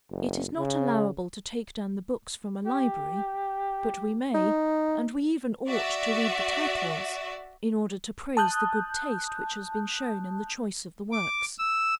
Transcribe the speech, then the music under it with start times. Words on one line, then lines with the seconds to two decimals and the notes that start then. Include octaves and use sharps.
It is not allowable to take down the books from a library; but we may, and we even ought to read the titles, in order to praise the good taste which has been shown in the choice of the works.
0.10 F#1
0.58 C#3
2.65 G4
4.34 D#4
5.69 F#4 D5 E5
8.37 A5 D#6 F#6 G6
11.12 D6
11.59 E6